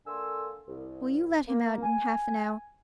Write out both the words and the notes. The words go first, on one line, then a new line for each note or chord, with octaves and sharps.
Will you let him out in half an hour?
D3 A#3 A4 G#5 C6 E6
C2
A#3
G#5